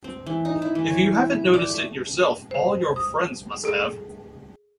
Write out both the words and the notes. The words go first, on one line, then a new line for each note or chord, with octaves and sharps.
If you haven't noticed it yourself all your friends must have.
C4
E3
D#4
E4
E3
C#5
E4
D5
A3
C5
D#6
G#4 A4